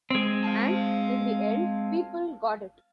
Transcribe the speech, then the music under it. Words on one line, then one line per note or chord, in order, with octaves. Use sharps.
And, in the end, people got it.
G#3 C4
F5 A5